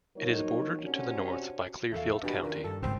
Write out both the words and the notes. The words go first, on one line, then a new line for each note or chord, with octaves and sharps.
It is bordered to the north by Clearfield County.
F3 F#3 A#3 D#4 A#4 C#5
C3 C#4 D4 F#4
E2 A3 A4 F5
B2 D4 G4 B4
A#2 D#3 C#4
G2 A4
G#1 C#2 G#2 C4